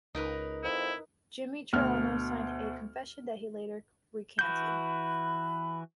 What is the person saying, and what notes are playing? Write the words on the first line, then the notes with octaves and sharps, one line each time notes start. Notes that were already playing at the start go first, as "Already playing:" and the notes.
Jimmy Troiano signed a confession that he later recanted.
C#2 D#4 A#4 B4
F2 E4
D2 B2 F6
E3 F#4 B5 G6